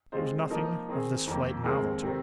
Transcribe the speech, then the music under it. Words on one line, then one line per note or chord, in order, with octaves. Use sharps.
There was nothing of this flight novel to me.
C3 G#3 F4 C5 D#5
F3 A#3 D#4 A#4 D#5
D#3 C4 G#4
F2 D#3 A#3
D#2 D#3 G#3 C4
C3 D#3 C4